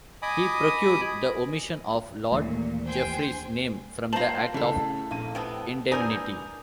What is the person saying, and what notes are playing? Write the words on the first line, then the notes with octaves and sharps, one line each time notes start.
He procured the omission of Lord Jeffreys's name from the Act of Indemnity.
D#5 G#5 B5 D6 D#6
D#2 A#2 E3 A3
C5 G5 G#5
A#3 F4 C5 A5 A#5 F#7
A2 C#3 A4
A#1 A#3 D#7
C3 F3 B3 G5
E3 D4 G#4 A#4 G#5 G6